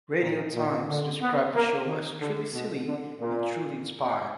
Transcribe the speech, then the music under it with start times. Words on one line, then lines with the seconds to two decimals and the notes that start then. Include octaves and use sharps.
"Radio Times" described the show as "truly silly and truly inspired".
0.21 A#2
0.54 A#2
0.88 D3
1.21 B3
1.54 A#3
1.87 D#3
2.21 D3
2.53 B2
2.87 D3
3.20 A#2